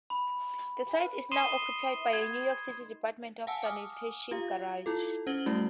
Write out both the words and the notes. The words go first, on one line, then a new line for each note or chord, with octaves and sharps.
The site is now occupied by a New York City Department of Sanitation garage.
B5
C6 D#6 C7 D#7 E7 G7
G#6
F5 F#5 G#5 A5 E6
G#5 D6 D#6 F6
F4 G4 F5
E4 F4 A4
C#4 C5 G#6 A#6 F#7 G7
G3 A3 E4 F#4